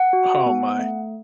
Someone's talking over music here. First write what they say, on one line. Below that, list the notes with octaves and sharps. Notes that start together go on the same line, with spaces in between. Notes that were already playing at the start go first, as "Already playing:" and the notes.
Oh, my.
Already playing: F#5
F#4
B3
A3